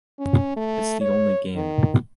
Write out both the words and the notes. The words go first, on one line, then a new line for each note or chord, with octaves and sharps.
It's the only game.
C#4
A3
C#5
D#3